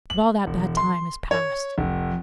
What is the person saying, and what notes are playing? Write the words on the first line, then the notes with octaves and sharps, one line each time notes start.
But all that bad time is past.
F#7
E1
C6
C#5
F1